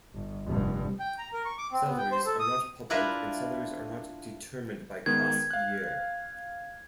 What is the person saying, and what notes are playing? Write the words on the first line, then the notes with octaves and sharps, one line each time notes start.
Salaries are not public and salaries are not determined by class-year.
G1
F1 G2
G5
A#5
A#4
C#6
D6
C4
B3
G5
C5
A4
D#6
D4 E4 F4 A#4 B4 E5
D#3 G#3 B3 G#6
F5 F#6